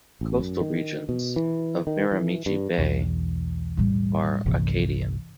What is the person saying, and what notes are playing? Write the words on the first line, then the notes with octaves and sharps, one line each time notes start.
Coastal regions of Miramichi Bay are Acadian.
A1
F#2
D#3
B2
E3
D#3
E3
G2
B1 E2
A2 G3
G1 C2 E3